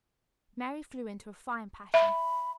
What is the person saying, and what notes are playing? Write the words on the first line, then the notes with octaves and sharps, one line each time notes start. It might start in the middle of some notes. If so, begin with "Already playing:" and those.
Mary flew into a fine passion.
E5 B5